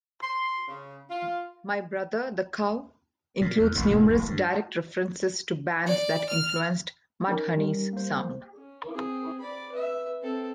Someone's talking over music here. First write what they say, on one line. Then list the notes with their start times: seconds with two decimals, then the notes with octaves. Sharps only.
"My Brother The Cow" includes numerous direct references to bands that influenced Mudhoney's sound.
0.23 C6
0.68 C#3
1.10 F4
3.41 A#2
3.60 E2
3.76 A1 D#2 A#2
3.90 E1 G#2 A#3
4.09 D1 A1 F#3
4.27 G2
5.86 D5
6.30 F6
7.28 C#4 D#4 A#4
7.57 G3
7.93 A#3 C5
8.57 C#4
8.91 C4 G#4
9.40 D5 B5
9.72 B4 E5
10.22 C4 A4